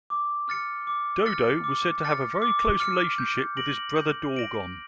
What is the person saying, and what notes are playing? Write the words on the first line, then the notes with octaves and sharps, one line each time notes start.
Dodo was said to have a very close relationship with his brother Dorgon.
D6
F6 A6 C#7
D6
F6 A6 C#7
D6
F6 A6 C#7
D6
F6 A6 C#7
G6
A#6 D7 F#7
G6
A#6 D7 F#7